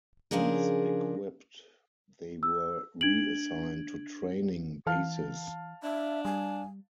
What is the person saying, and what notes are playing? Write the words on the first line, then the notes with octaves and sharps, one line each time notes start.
Once equipped, they were reassigned to training bases.
C#3 F3 D4 G#4 A#4
E6
D4 G#6 D7 F#7
E3 F5 A5 F6
D4 E5
G3 G#5